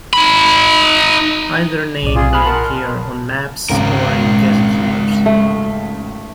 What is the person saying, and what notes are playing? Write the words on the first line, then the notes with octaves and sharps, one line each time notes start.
Either name may appear on maps or in gazetteers.
D#4 B5
B1 A2 D5
F4 G#4
G#4 B5 F6 F#6
A#4 F#5 A5 C6
G#1 C#2 G#3 A#4
A3